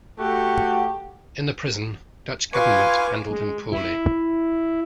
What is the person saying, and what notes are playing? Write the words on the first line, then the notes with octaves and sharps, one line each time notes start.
In the prison, Dutch government handled him poorly.
A3 F#4 G4
F4 B4 G#5 C#6 D6
G#3
E4